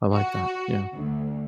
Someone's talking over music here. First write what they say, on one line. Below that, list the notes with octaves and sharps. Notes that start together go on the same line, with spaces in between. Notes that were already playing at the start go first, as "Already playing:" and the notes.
I like that, yeah.
F#4
D2